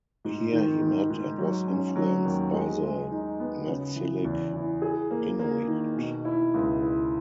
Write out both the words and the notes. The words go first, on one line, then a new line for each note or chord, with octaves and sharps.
Here he met and was influenced by the Netsilik Inuit.
G#2
D#3
G#2
G#2
F#3
C#4
F#3
D#2
G#3
G#3
D#4
B3
C#3
E3
E2
E3
G#4
A#3
A#3
D#3
B2
E4
C#2
E4